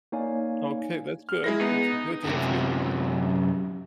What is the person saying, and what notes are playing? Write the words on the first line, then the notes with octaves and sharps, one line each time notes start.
Okay, that's good. That's good to have feelings.
A#3 D#4 C#5 D5 F5 G#5
F6
G#3 E4 A#6
B3 D#4 G#4
F#2 C3